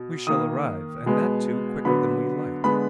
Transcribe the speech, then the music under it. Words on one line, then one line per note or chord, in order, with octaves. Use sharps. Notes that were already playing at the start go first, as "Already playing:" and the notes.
"We shall arrive, and that, too, quicker than we like."
Already playing: B2
D#3 A#3 D#6
B2 G#3 B3
D3 F#3 B3 B5
D3 G#3 B3 B5